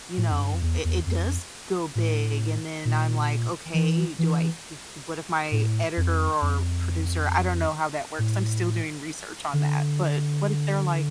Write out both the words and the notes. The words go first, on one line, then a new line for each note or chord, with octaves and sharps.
you know, i it does go big?" And then I'm like, "Okay, do I u do what if my editor, or producer" I don't know how that works, I'm still doing research on that, but what if they're, like
A2
F2
G2
F2
E2
E2
F2
A2
A#2
E3
E3
A2
F2
F2
A2
D3